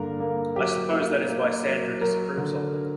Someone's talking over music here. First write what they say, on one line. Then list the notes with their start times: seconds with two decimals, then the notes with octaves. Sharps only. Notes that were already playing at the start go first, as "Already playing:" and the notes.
I suppose that is why Sandra disapproves of them.
Already playing: G2 D3 A#3 A#4
0.20 A#3
0.56 F#3 G4
0.93 A#3
1.29 A#3
1.65 F#3
2.01 F#3 A#4
2.38 D3